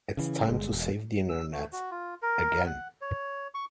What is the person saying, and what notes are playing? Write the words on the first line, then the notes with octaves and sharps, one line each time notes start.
It’s time to save the internet — again.
C#3 E3
G1 G#3
E1
E6
A3
F#4
F4
A#4
F#5
C#5
C#6